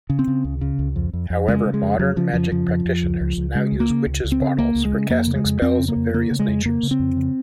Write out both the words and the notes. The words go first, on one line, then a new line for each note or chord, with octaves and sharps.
However, modern magic practitioners now use witches bottles for casting spells of various natures.
C#3
C4
C#3
C#2
C#3
C#2
F2
F2
F2
C#3 G#3
C#3
G#3
F2
C#3 F#3
C#3 F3
F2 F3
C#3 F3
F2
F2
C#2
C#2
C#2
C#3 G#3
C#2
A#3
C#3
C#2
C#2
C4
C#3
C#2 A#3
C#2
G#3
C#3
F2 A#3
C#3
G#3
F2
F2 C4
C#3
A#3
F2
C#3 A#3
C#3
G#3
F2
C#3 A#3
C#3
C4
F2
C#3